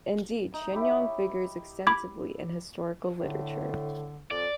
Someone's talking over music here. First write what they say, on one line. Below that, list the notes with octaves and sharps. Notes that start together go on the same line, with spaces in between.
Indeed, Shennong figures extensively in historical literature.
D#4
E4 G4 C#5
B5 D6 G#6
A2 D3
F2 D5